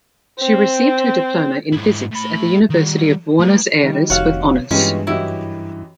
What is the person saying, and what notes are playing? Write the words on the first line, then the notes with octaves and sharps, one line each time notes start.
She received her diploma in Physics at the University of Buenos Aires with honors.
C4
G#2 E4
A2 B5
D#3 G3
A3 B4
D#3 G3
F1 F#4 C#5 F5
G2 E3 G#3 B3 C#4 F4 G4
F#2 E3 E4 F#4 G4 D#5